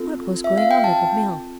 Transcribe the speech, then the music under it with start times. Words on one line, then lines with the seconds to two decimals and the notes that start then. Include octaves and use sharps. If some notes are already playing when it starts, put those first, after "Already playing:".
What was going on at the mill?
Already playing: C4 F4 A4
0.44 E5
0.58 F5
0.71 G5
0.84 A5